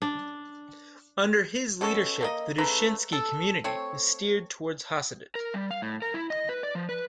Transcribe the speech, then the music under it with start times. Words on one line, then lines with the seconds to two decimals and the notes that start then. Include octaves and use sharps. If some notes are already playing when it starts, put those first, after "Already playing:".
Under his leadership the Dushinsky community was steered towards Hasidut.
0.02 D4
1.81 B2 C#4 A4 C#6
2.21 A3 A#3 D#5
2.58 C#3 A3 B4 A#5
3.13 A4
3.64 A3 C4 C#5
5.35 A#4
5.54 G3
5.71 F5
5.82 A2
6.02 A#4
6.14 E4
6.30 D#5
6.49 B4
6.63 D5
6.75 F3
6.89 B4